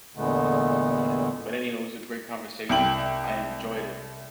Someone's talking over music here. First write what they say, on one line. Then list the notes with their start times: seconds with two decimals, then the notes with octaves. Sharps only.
Yeah. But anyhow, it was a great conversation, um, I enjoyed it.
0.16 E2 A#2 D3 G#3 A3 B3
2.69 C2 G5 F#7